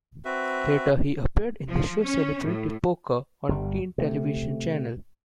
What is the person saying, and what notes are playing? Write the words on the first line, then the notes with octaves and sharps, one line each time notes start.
Later, he appeared in the show Celebrity Poker on Tien television channel.
C4 F#4 B4 E5
F3
C#4
A2
G1 G3
C3 A3